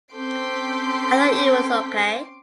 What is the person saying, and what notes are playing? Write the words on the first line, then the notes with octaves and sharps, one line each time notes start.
I thought it was okay.
C4 C#4 A4 C6 D6 G6 B6